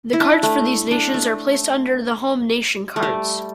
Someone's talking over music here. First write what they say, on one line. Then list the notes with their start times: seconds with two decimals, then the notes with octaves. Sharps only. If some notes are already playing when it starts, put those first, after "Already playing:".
The cards for these nations are placed under the home nation cards.
0.13 E4
0.20 D4
0.43 A3
0.91 D4
1.14 A3
2.96 A3
3.03 G3